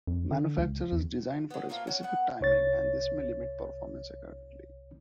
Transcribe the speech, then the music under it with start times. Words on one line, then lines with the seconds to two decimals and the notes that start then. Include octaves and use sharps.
Manufacturers design for a specific timing and this may limit performance accordingly.
0.07 F2
0.31 D3
0.58 C#2
0.92 E2
1.50 F#3 B3
1.69 A3 A#3 C4 F4
1.87 C#4 F#4
2.03 B3 F#5
2.41 C2 C#5 A6